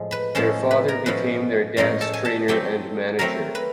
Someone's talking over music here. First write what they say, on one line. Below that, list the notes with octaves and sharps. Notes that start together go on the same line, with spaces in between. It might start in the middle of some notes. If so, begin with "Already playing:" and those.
Their father became their dance trainer and manager.
Already playing: A2 F3 G#3
B4 B5
A2 F3 G#3 C#4 A4 A5
B4 B5
A#4 A#5
A2 F3 G#3 C#4 B4 B5
A2 F3 G#3 C#4 A#4 A#5
A4 A5
G#5
A4 A5
F#3 A3 C4 G4 G5
F#3 A3 C4 A#4 A#5
B4 B5